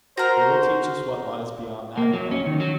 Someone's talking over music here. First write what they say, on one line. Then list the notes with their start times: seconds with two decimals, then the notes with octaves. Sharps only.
They will teach us what lies beyond that hill.
0.17 F#4 A#4 C5 A#5
1.98 A#3
2.13 F#3
2.31 C#4
2.46 D#3
2.60 F#3